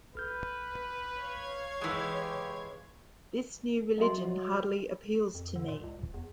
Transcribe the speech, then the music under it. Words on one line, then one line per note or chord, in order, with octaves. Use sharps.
This new religion hardly appeals to me.
B1 B4 F6 G6
C#5 F5 G#6
E3 G#3 G4
F#3 D#5 E5 C6
F2
D3
A#2
C#2
D#1
E2